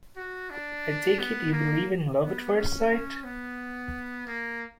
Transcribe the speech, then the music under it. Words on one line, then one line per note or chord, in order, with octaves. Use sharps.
I take it you believe in love at first sight?
F#4
D4
B3
A#3
B3
C#4
C#4
B3
A#3